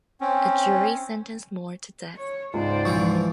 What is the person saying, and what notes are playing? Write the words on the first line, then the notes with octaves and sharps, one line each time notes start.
A jury sentenced Moore to death.
C4 C#4
C#5
C#2 G#2 C5 D5
E3 F3 C#6